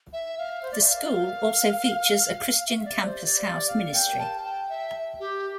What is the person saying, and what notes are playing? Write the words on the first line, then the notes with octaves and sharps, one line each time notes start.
The school also features a Christian Campus House ministry.
E5
F5
C5
D5
E5
F5
E5
E5
D5
C5
D5
D5
F5
G5
A5
G5
E5
G4